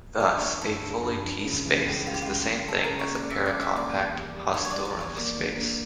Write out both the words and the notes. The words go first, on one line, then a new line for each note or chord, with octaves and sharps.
Thus, a fully T space is the same thing as a paracompact Hausdorff space.
D3 D5
A3 C#5
G2 A4
D3
G2
G2
C#3
E3
C#2
C#2 F4
G4
C#2 F4
C#2
C#3 A4
A#4
C#3
C#5
A#3
D5
A#3 E5
D5
F3
E5
A#3 D5
E2
G3
G3
D4 C#5
C#5
G3 D5
D5
E2
C#5
A#3 D5
D3
A#3